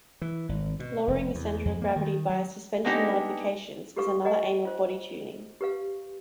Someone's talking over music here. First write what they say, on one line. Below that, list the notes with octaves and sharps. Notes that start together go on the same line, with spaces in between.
Lowering the center of gravity via suspension modifications is another aim of body tuning.
E3
G#1
B2
F1
E2
F2
A#3
D#3
F#3
G#3 A#3 B3 D4 D#4 G4
F#4 G4 A4 B4 F5 C#6
B4 D#5 F#5 G#5 A#5
F4 C5
G4 B4 F5